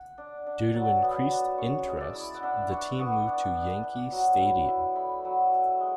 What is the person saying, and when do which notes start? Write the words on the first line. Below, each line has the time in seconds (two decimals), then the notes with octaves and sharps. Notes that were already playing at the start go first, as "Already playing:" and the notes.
Due to increased interest, the team moved to Yankee Stadium.
Already playing: F#5
0.18 D4
0.46 D4
0.74 F#3 A5
1.03 B3
1.31 D4
1.58 C#4 C#6
1.87 G#3
1.97 D5 E5
2.15 E4
2.34 F#5
2.43 D4 E5
2.71 D4 C#6
2.99 B3 C#6
3.27 D4
3.56 D4
3.84 D4
4.12 F#3
4.40 E4
4.68 E4
4.95 A3 B5
5.25 F#3
5.53 A3
5.80 G#3